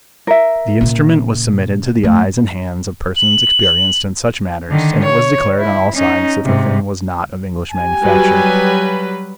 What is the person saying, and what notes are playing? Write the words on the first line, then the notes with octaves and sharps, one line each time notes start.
The instrument was submitted to the eyes and hands of persons experienced in such matters, and it was declared on all sides that the thing was not of English manufacture.
A#4 E5
A#2 C#3
G2 A3
F#7
D3 D#3
C#5
E4
C#4 D#4
G#2 C3
G4 G#5
F#3 G3 B4